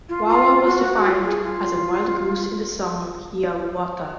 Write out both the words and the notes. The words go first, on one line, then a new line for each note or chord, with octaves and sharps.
Wawa was defined as wild goose in The Song of Hiawatha.
F4
F4
F#4
F4
G#4
F4